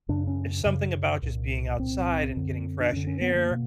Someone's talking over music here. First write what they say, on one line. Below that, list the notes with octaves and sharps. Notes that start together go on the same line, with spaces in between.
there's something about just being outside and getting fresh air
F#2 C#3 D4
C#4
F#2 C#3
C2 A#2
C2 A#2 C4
F#2 D3
D4
F#2 D3 C#4
C#4
B3
A#3
B2